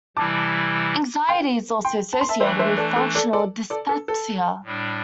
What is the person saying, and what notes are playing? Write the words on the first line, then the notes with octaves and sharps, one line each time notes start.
Anxiety is also associated with functional dyspepsia.
C3 E3 G3 E4 A5 D6
G5 C6
G5 C6
A5
C6
E5 A5
E3 A3 D4 C5 E5
C5 E5
A4 D5
A4
A4 D5
A4 D5
A4 D5
A4
A4
A2 G3 D4